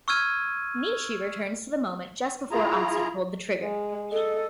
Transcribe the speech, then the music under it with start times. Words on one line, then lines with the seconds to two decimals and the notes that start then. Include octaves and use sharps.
Nishi returns to the moment just before Atsu pulled the trigger.
0.08 C#6 E6 F6 G#6 D#7
2.51 E4 F4 G#4 A#5
3.61 G#3
4.12 A4 D#5